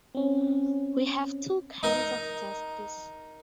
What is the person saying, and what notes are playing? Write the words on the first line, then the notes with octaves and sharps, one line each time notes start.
We have two kinds of justice.
C4 C#4
D#4 A#4 D#5